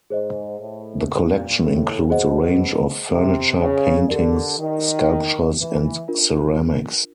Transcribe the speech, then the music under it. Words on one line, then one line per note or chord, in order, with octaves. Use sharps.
The collection includes a range of furniture, paintings, sculptures and ceramics.
G#2 G#4 C5 D#5
A2
A#2
A2
B2 G#4 C5 D#5 F#5
C3
C#3
D3 G4 A#4 D5
D#3
E3
D4 F4 A#4